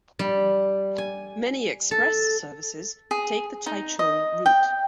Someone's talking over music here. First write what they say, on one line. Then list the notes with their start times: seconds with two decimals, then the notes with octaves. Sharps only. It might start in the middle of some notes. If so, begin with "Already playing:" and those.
Many express services take the Taichung route.
0.19 G3
0.98 G#5
1.91 A4
3.11 G#4
3.66 D#4
3.99 D#5
4.46 G5